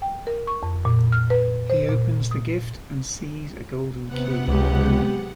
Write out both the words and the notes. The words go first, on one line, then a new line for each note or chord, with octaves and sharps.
He opens the gift and sees a golden key.
G5
A#4
C#6
F2
A#2
F6
B4
C5
A#2
D#6
C3 B3 F#5
C#2 F#3 G#3 G4